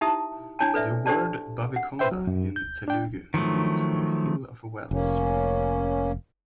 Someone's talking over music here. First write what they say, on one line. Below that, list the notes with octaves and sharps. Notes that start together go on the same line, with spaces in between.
The word "Bavikonda" in Telugu means "a hill of wells".
D#4 E4 G4 E5 A5 D#6
D4 E4 C#5 G#5 A5
A4 B4 D5 E5
D4 G4 A4 C5 D5 A5
F#5
B4 C5 E5 G5
F#3
F#2
G6
D4 G5
D#3 F3 F#3 A3
F1 A#3 C#4